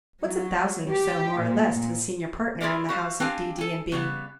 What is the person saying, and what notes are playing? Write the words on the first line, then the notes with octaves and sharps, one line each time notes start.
What's a thousand or so, more or less, to the senior partner in the house of D., D., and B.?
F#3
G4
A#2
E4 F4 G#4 A#4 D5
F#4 C5 F5
C4 D4 G4 F5 G#5
A4 G#5
C#3 G3 B3